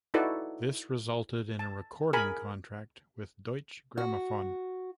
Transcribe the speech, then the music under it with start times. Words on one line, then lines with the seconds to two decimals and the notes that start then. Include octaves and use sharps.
This resulted in a recording contract with Deutsche Grammophon.
0.14 D#4 E4 F#4 A4 B4 D5
1.59 A5
2.13 G#4 A#4 G#5 B5
3.97 F#4